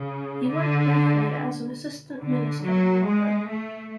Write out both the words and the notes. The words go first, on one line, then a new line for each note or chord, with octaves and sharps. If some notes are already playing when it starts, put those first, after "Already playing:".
He worked briefly as an assistant minister in Lauder.
Already playing: C#3
D3
D3
F#3
G#3
A3